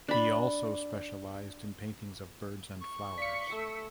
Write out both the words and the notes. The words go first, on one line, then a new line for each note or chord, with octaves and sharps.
He also specialized in paintings of birds and flowers.
D4 B5
C#6
D5 F5 B6 C#7
A3 E6